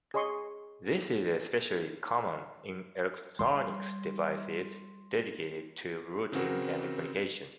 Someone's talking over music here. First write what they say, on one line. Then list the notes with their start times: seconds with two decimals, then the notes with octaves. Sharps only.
This is especially common in electronic devices dedicated to routing and communication.
0.14 G#4 C#5 D#5 C6 C#6 D#6
3.39 G3 C6
6.32 C#3 E3 C4 F#4 A#4